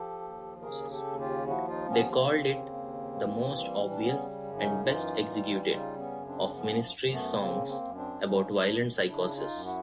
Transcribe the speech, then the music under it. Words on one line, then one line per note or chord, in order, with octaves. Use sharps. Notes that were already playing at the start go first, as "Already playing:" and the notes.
They called it "the most obvious and best-executed" of Ministry's songs about violent psychosis.
Already playing: F3 G4 A4
D#2
C#3 G#4 A#4
G4 A4
D#2
F4 G4
F3 E4 F#4
D#4 F4
D#2 B3 C#4
A#3 C4
C#3
D#2
E3
G3
D4
C#3 B3 C#4
F#2
C#4 D#4
E3 D#4 F4
G3
C#3 D#4 F4
B3 C#4
F#2
C4 D4
F3 B3 C#4
F#2
A3 B3
C#3 A#3 C4
A#3 C4
F#2
C4 D4
F3 C#4 D#4
D4 E4
F#2
C#3 D4 E4
D#4 F4
F#2
E4 F#4